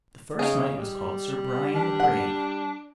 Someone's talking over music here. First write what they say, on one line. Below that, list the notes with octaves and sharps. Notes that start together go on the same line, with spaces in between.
The first knight was called Sir Brian the Brave.
C#3 D#4 G#4
G3
D4
F#5